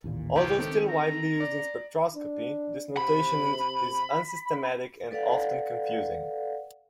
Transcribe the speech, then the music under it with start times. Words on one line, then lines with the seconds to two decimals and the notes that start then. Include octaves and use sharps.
Although still widely used in spectroscopy, this notation is unsystematic and often confusing.
0.04 A1 D#2 A#2
0.36 C#2 A2 G4
0.59 D#3 C4 G4 A4
0.89 A#5
1.40 D5
2.15 D4
2.97 C3 B5
5.11 A4 B4 D5 F5 F#5